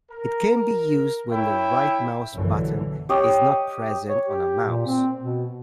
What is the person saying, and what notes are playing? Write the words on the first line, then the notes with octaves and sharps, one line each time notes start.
It can be used when the right-mouse button is not present on a mouse.
A#4
E4 C#5 E5 G5
A#1 F#2 D3 E3
G4 C#5 D#5
C#5
G4
A#2
C4
B2